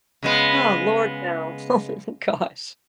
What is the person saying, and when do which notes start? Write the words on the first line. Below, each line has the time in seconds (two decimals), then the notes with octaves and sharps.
Oh lord no. Oh, gosh.
0.23 C#3 G#3 B3